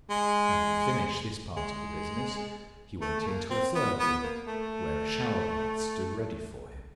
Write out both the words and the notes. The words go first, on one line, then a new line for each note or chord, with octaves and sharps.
Having finished this part of the business, he went into a third room, where a shower bath stood ready for him.
G#3
G#3
A3
A3
A#3
C4
B3
B3
A#3
A3